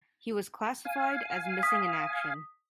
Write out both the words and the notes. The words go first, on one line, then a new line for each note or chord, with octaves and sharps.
He was classified as missing in action.
F5 G#5
D#6 B6